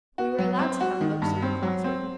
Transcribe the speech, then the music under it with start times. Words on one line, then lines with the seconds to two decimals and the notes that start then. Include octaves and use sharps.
We were allowed to have books in the cloth-room.
0.18 F#4
0.38 F#3
0.59 C4
0.81 F#4
1.01 D#3
1.22 G2
1.42 C4
1.63 F#3
1.84 C4